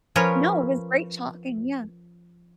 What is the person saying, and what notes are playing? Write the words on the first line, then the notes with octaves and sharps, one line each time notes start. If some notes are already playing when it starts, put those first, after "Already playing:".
No, it was great talking yeah,
F3 C#4 A#4 B4 C#5